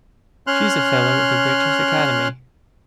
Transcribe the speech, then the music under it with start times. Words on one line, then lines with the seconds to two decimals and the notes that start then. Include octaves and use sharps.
She is a Fellow of the British Academy.
0.47 C#4 C6 F6 F#6